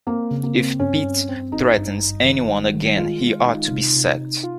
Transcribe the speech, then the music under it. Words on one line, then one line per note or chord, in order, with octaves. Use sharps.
If Pete threatens anyone again he ought to be sacked.
A#3 C4
C#3
A#3
C4
G2 C#4
G2
C4
G#1 D#4
G2
G#1
D#3
G3
D#3
G#3 F4
G#3
D#4
C3
C3
C3
F4